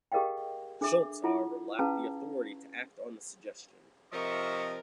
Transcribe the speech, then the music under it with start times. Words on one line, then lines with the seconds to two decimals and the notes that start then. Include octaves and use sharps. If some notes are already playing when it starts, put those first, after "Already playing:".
Shultz however lacked the authority to act on the suggestion.
0.12 G4 G#4 A#4 D#5 F5 G5
0.81 D4 G#4 A4 E5 D6
1.24 E4 F4 A4 F#5
1.79 C#4 G#4 B4 F5 A5 A#5
4.13 C3 F3 A#4 D#5 E5 C#6